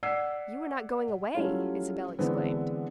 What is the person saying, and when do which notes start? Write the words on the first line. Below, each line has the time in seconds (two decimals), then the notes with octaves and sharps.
"You're not going away!" Isabel exclaimed.
0.03 D5 F#5 E6 G#6 B6 C7
1.35 F#3 G3 A3 C#4 E4 F4
2.19 D3 E3 G#3 B3 C4 D4